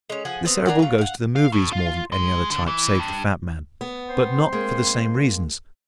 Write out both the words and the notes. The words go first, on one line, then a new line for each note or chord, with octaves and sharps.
The Cerebral goes to the movies more than any other type save the fat man, but not for the same reasons.
G#3 C#4
F3 G#4 F#5 G#5
B3 C4
D4 A#4 F#5 G#5
F#3 F4
F5 F#5
F5
A2
F4
G#3
D3
E3
G2
B3
C4 C5 C6
G#3 A#3